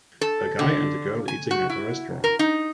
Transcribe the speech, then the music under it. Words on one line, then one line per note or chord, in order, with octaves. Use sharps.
A guy and a girl eating at a restaurant.
A4
D3
G#5
F#4
E4
A#4
D#4